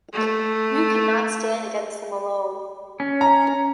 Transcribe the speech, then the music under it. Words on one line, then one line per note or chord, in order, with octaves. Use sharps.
You can not stand against them alone.
A3
C#4
A#5